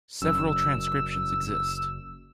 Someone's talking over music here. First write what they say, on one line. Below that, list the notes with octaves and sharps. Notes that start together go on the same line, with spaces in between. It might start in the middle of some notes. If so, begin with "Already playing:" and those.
Several transcriptions exist.
F#1 F#2 E6